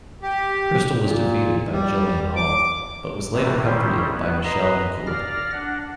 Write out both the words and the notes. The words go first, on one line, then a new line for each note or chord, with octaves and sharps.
Kristal was defeated by Jillian Hall but was later comforted by Michelle McCool.
G4
A#2
G3
D6
F#2 A2 C3 E3
D#3 G3 C#4 E4 C5
B3
B4 D#5 A#5 C6
D5 F5 F6 A#6
D4 F#5